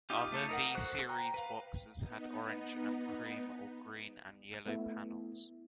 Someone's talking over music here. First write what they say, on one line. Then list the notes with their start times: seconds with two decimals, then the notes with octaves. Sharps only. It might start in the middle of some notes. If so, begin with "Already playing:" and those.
Other V-series boxes had orange and cream or green and yellow panels.
0.10 D#4 F4 G4
0.32 A3 A4 C#5 G6
0.49 D#4 A#4 F#5
0.74 F#4 A4 C5 C#6 F#6
1.09 G5 A#5
1.34 B4 F5
1.97 B3 D#4
4.66 A3 B3 E4